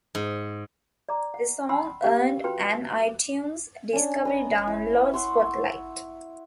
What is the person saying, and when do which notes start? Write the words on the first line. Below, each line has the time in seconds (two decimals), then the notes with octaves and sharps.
The song earned an iTunes "Discovery Download" spotlight.
0.15 G#2
1.09 D5 A#5 D6
1.34 F#5
1.69 C#4 F#5 B5 C6 E6
2.02 C#4 G4 F5
2.44 C#4 F4 F#4 B4 G5 C6
3.93 C#4 D4
4.25 B4 D#5 A#5
4.67 E4
5.14 E5 F#5 C6 C#6